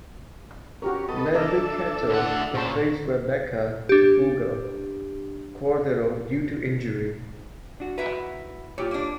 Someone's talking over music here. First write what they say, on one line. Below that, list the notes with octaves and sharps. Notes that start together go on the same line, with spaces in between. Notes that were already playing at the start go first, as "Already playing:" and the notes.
Lesley Ketu replaced Rebekah Tufuga-Cordero due to injury.
C#4 F#4 G4 A#4
B3 A4 D#5
D4 A4 A#4 D#5 E5
D2 F#5
A#2 C#4 C5 A5
D4 G4
D4 F#4
E4 F#4 B4 E5 A#5
A#2 F4 G4 C#5
A#3 D4